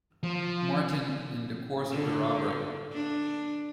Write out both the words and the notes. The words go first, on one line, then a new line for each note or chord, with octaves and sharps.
Martin, in the course of the robbery.
F3
D3
D4